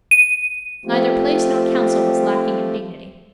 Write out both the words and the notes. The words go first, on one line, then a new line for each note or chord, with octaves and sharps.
Neither place nor council was lacking in dignity.
D#7
F3 A3 C4 F4 G4